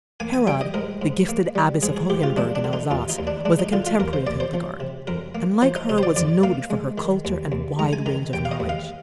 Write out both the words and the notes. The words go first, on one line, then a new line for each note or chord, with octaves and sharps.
Herrad, the gifted abbess of Hohenburg in Alsace, was a contemporary of Hildegard, and, like her, was noted for her culture and wide range of knowledge.
A#3 G#5
G#5
G3 G5
D#5
G#2 A#4
G#2
A#3
G3
G#2 G#4
G#4
G#2 G4
F4
G#3 D4
D4
D3
D#4
D#2 F4
D#4
D#2
D4
G#3 D4
D#4
D3 F4
F4
D#2 A#4
C5
D#2 D5
C5
F3
C3
F2 A#4
A#3
F3 C5
D#4
C3 D#4
C5
D5
F2 D5
A#3 F5
G#3
D#3
D#2
D#2
G#3 A#5
G#5
D#3 A#5
D#2 G5
F5
D#5
D#2
F5